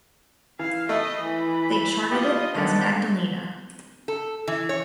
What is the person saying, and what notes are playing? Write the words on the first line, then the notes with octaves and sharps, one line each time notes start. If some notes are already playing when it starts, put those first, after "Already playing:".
They charted it as "Magdalena".
E3 F5
A3 D#5 E5 B5
E3
F4 G4 D#5
D#2 D3 A3 B3 A5
A4
E3
C#5